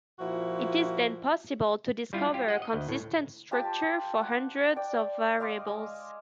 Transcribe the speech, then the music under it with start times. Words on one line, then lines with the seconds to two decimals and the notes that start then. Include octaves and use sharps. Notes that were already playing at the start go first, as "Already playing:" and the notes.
It is then possible to discover a consistent structure for hundreds of variables.
0.19 A#2 F3 E4 F#4
2.13 G3 E4 F4
2.34 F4 G4
2.48 D#5 F#5
2.62 D#5
2.73 D2
2.89 A2
3.51 F4 G4 C5 A5
4.21 F#5
4.76 D5 G5
5.40 D#5 F5 C6 D6
5.67 G#3